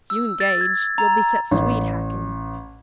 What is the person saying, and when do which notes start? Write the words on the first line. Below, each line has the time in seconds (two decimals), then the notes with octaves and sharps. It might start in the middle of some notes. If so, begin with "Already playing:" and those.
If you engage, you'll be set swede-hacking.
0.10 E6
0.40 A6
0.61 G#6
0.98 A#5
1.51 A1